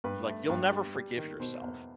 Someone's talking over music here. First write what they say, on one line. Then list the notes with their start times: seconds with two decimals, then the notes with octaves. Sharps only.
like, "You'll never forgive yourself,"
0.04 G2 B4
0.27 A3
0.50 G2
0.72 G3
0.94 G3
1.17 D#3
1.40 B2 C5
1.62 E2